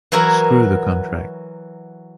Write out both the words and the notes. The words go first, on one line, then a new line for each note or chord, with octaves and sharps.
Screw the contract!
E3 F#3 E4 F#4 A#4